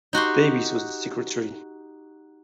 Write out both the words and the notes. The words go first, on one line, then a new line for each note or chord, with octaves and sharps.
Davies was the secretary.
D#4 F#4 G4 C6